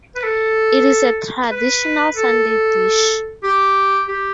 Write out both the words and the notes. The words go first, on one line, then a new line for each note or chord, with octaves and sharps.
It is a traditional Sunday dish.
B4
A4
B4
A4
G4
G4